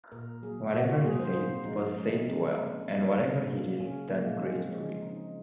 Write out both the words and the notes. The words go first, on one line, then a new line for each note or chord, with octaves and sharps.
Whatever he said, was said well; and whatever he did, done gracefully.
A#2 A#4
F#3 A#3 G#4
A#2 F#4
F4
F#3 A#3 G#4
C5
C3 C5
F3 G#3 D#4
C3 C#4
F3 G#3 C4
C#3 A#3
F#3 A#3
C#3
F#3 A#3
C#3 C#4
F3 G#3 A#3
C#4
C#3 C4
F3 G#3 C#4
C#3 D#4